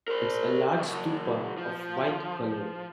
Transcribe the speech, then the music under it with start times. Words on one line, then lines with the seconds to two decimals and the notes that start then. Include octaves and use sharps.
It is a large stupa of white color.
0.08 A#4 C5
0.76 C#3 F#3
1.58 F3